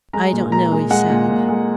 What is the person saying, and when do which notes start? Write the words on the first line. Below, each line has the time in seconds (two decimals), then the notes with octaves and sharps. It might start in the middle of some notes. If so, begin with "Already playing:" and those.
"I don't know," he said.
0.13 G#3 A#5
0.33 A#2
0.52 A#2 A#5
0.71 G#3
0.90 G#3 F#5
1.10 A#2
1.29 A#2
1.49 G#3